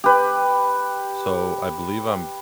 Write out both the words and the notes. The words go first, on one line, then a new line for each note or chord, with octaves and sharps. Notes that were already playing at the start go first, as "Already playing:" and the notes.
So I believe I'm
G4 B4